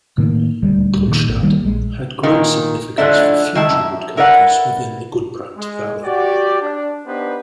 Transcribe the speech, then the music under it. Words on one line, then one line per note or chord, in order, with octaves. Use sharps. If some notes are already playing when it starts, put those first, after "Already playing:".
Klukstad had great significance for future wood carvers within the Gudbrand Valley.
A2 D#3 A#3
D#1 D2 G3
D#1 A#2 D#3
G#1
D#3 G3 A#3
A#1 G#3
A#2 D#3
D3 F3 G#3 A3 D4 E4
D#3 E4 A5
F#2
E4 A#4 B4 D5 F#5
G#3
F#4 G4 D5
D4
B3 D4 D#4 G4 B4 C5